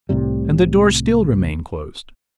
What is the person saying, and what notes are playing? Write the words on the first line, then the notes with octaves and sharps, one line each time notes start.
And the door still remained closed!
C2 A2 C3 G3